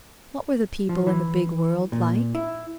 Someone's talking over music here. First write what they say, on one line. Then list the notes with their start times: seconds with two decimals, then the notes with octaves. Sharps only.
What were the people in the big world like?
0.89 F3
1.07 E3
1.92 A#2
2.35 E4